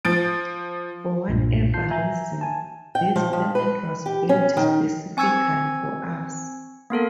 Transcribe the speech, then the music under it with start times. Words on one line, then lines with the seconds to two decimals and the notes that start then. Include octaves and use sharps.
For whatever reason, this planet was built specifically for us.
0.05 F3 A6 D7
1.28 B1 G2 A#2
1.74 A2 F4 A5 G6 C7
1.91 E5 G#5 A#5 G6
2.41 G#5 A5
2.95 G5
3.16 F3
3.33 F3
3.55 B4
4.06 G4
4.29 C#4
4.57 D#3
5.17 C4 G#5 C#6 E6 G#6 C#7
6.90 A#3 B3 A4 A#4